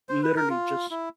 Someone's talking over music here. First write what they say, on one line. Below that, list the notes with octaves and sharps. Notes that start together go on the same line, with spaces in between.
literally just,
C5
B4
A#4
F4
E4